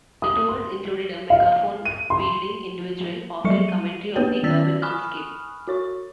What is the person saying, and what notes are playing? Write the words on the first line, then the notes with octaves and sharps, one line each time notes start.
The tours included a megaphone-wielding individual offering commentary on the urban landscape.
D#6
C6
F5
D#7
C6
F#3 G3 A4 E5 C#6 C#7
D#7
A#3 B3 G4 B4 C#5 G5
D#3 C#4 D5 E6 A6 B6
G#5 B5 C#6 D#6 F6 F#6
F#4 C#5 C#6